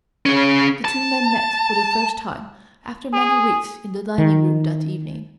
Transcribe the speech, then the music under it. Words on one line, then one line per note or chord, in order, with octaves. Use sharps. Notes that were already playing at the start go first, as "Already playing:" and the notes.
The two men met for the first time after many weeks in the dining-room that evening.
C#4 G#4
A5
G#4
D#3